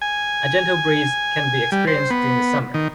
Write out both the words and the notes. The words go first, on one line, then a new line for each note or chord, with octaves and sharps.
A gentle breeze can be experienced in the summer.
G#5
G3
C5
B3
D#3